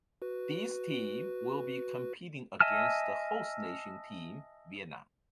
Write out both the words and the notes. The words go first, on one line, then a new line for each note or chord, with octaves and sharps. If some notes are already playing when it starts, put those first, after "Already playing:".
These team will be competing against the host nation team Vietnam.
F#4 B4
D#5 E5 G#5 A5 F6